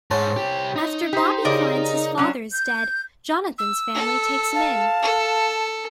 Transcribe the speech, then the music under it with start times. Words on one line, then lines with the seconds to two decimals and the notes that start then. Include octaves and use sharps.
After Bobby finds his father is dead, Jonathan's family takes him in.
0.11 G#2 C#4 C5 A5
0.37 C2 G4
0.76 D#4
1.13 G4 C5
1.45 C#3 A#4 D5 D#5
2.18 F#3 C#4 D4
2.53 G6
3.58 E6
3.95 A4
4.54 F5 A5
5.02 A4